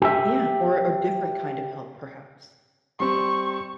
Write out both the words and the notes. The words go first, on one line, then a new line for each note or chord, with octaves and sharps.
Yeah. Or or different kind of help perhaps.
G4 E5
G3 C4 C#6